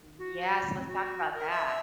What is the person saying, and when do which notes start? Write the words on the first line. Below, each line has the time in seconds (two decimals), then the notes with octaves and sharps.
Yes. Let's talk about that.
0.19 F#4
0.75 C4
0.88 F#4
1.34 A#4
1.50 E5